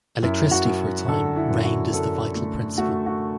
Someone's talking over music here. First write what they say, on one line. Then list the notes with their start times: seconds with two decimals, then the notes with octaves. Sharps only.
Electricity for a time, reigned as the vital principle.
0.23 F#2 E4
0.51 F#4
0.65 F#2
1.08 D3 A4
1.36 E4
1.50 F#2
1.65 F#4
1.92 F#2 A4
2.35 A3
2.78 A3 F#4
3.06 F#4